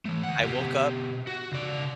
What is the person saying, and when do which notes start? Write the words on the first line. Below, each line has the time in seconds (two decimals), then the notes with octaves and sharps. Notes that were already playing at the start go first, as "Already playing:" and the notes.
I woke up
0.05 E3 A3
0.23 D2 F#5
0.44 B2 G4
1.27 F#4
1.52 C#3 D5